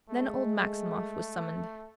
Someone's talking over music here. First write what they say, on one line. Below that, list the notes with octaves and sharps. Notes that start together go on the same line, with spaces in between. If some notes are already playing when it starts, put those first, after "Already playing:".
Then old Maximov was summoned.
G#3 A3